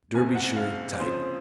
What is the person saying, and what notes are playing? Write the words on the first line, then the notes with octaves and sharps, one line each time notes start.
Derbyshire type.
F#1 F2 C3 G#5
F#5
F5
F2 C#3 F3 C5